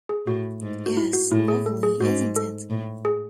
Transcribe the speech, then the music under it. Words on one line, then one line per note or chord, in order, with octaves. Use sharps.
Yes, lovely, isn't it?
G#4
A2 F#4
G#2
F#4
E4
F#4
A2 E4
G#4
A4
G#4
G#2 F#4
A4
A2
G#4